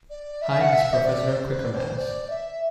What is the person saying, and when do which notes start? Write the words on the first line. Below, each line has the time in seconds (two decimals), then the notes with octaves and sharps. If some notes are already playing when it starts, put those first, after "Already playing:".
High as Professor Quakermass.
0.09 D5
0.41 E5
0.61 F#5
0.72 E5
0.93 C5
1.03 D5
1.28 C5
1.51 B4
1.64 D5
1.74 C5
1.98 D5
2.25 D5
2.30 E5